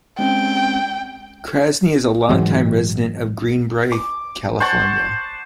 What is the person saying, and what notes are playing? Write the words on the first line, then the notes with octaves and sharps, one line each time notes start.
Krasny is a long-time resident of Greenbrae, California.
G#3 C4 C#4 G5
G#2 E3 F#3 G#3
D6
C5 F#5 A5 C#6